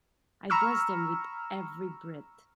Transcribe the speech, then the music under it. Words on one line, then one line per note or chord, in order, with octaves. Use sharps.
I bless them with every breath.
A#5 B5 C#6 E6 F6